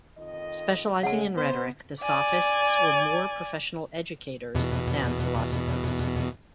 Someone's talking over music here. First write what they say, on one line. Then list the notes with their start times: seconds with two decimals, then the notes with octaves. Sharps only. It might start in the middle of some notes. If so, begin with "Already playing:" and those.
Specializing in rhetoric, the Sophists were more professional educators than philosophers.
0.17 F2 D#3 D#5
1.03 C#3 G#3 F#5 A5
1.37 B3 C5
2.02 D5 G#5
4.55 E2 B2